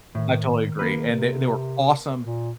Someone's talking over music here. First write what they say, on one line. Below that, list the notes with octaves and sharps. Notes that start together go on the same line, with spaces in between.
I totally agree and they they were awesome,
A2 D#3
A#3 B4
C3
A#2